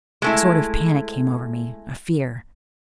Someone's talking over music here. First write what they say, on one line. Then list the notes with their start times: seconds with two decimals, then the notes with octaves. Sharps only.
A sort of panic came over me, a fear.
0.22 G#3 A3 E4